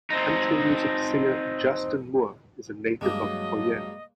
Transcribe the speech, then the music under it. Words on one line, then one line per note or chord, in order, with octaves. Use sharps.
Country music singer Justin Moore is a native of Poyen.
C4 D#4
G2 F#3 G#3 A#3 A#4 D#5 D6